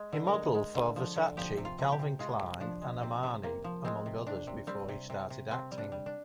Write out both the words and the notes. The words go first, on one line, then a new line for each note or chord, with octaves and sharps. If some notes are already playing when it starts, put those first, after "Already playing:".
He modeled for Versace, Calvin Klein, and Armani, among others before he started acting.
Already playing: G#3
D3
A#4
G#3
G#3
D3
F3
D3
F3 G4
C3
F4
C3
G4
C3
G#3 F4
C3
F3 D4
G#3
C3 C4
C3
C3 A#3
F3
G#3 C4
C3
C3 D4
C3
G3 C4
C3
C3
C3
C3 C4
G3
D4
G3
D4